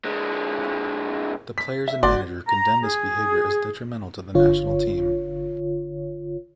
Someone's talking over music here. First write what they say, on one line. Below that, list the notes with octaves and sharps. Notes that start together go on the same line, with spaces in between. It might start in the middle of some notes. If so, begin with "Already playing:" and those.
The players and manager condemned this behavior as detrimental to the national team.
D3 G#3
B6
E5
G1 F#4 D5 C6
A#5
G#4
G1 D3 F4 C#5